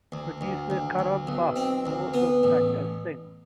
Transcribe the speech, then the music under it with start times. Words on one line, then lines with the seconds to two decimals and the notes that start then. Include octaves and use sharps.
Producer Karam Batth will also act as Singh.
0.12 D2
0.41 D2
0.70 D2
0.99 D2
1.27 B1
1.56 C4
1.86 D2
2.14 B3
2.43 A1